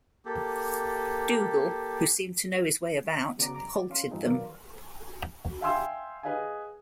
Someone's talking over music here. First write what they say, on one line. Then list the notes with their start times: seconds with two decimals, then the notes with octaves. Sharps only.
Dougal, who seemed to know his way about, halted them.
0.25 A#3 G4 A4
3.39 C#3 B3 F#4 D5 A#5 D6
3.55 C2 F#2 A#5 D6
3.76 D5
3.90 C#4 F5 C6
4.11 G2 F3 C4 D#4 G#4
4.25 D#3 F#3 A#4 B4 D5 F5
5.61 E5 F5 G5 G#5 C6 E6
6.23 G#4 B4 D#5 F5 G#5